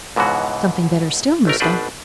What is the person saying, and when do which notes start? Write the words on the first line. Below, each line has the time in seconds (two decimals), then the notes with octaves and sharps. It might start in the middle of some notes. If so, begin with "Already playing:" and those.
"Something better still, Mouston."
0.16 C#2 G#2 B2 E3 F#4
1.45 A1 A3 A#4
1.60 G#1 B2 D4 B4 C5 D5